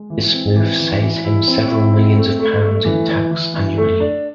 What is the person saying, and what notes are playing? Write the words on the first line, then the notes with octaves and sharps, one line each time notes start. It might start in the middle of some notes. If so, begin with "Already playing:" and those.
This move saves him several millions of pounds in tax annually.
Already playing: G#3
E3
C4
E3
E3
E3
E4
C4
E4
C4
A3
A3
A3
E3
E3
E3
E3
A3
D4